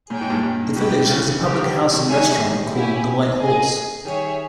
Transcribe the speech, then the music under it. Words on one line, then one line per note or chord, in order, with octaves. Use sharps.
The village has a public house and restaurant called The White Horse.
A#2 G#4 C#5 G5
G#2
G2 A#2
G2 A#2
G#2 B2 G4 B4 G5
C#3 E3
D#3 G3 B3 G4 A#4 C#5
D#3 G3
D#3 G3
B2 D#3
G#3
D#3 G3 D#4 G#4 C#5 E5 G#5
D#3 G3
D#3 G3
E4 G4 C#5 G#5
G#4 D#5 G#5
D#3 G3 G#4 C#5 E5